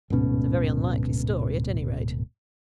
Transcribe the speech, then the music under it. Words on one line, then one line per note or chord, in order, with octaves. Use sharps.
It's a very unlikely story, at any rate.
D1 G#2 B2 C#4